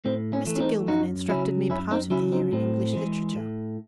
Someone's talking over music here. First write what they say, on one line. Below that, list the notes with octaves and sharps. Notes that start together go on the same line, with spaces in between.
Mr. Gilman instructed me part of the year in English literature.
A2 C4
C#4
E3 A3
C#4
C4 D#4
F#2 D#4 F#4
C#3 F#3 C#4 E4
F#2 C#4 E4
C4 D#4
C#3 F#3 C#4 E4
C4 D#4
A2 C4
E3 G#3
A2